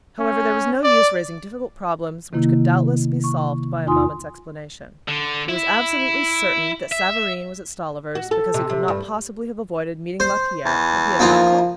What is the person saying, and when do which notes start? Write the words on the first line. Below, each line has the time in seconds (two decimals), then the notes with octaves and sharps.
However, there was no use raising difficult problems, which could doubt less be solved by a moment's explanation. It was absolutely certain that Savareen was at Stolliver's because he could not possibly have avoided meeting Lapierre if he had not called there.
0.20 C#4
0.84 D5
2.33 C3 D#3 A#3 E4
3.24 C#6
3.87 E2 D#4 F4 G#5 C6 D#6
5.08 D3
5.49 E4
6.92 E5
8.15 F#4
8.31 A4
8.54 C3
8.70 C3
8.88 G2
10.20 C5
10.66 E2
11.20 F3 A#3 D#4 F4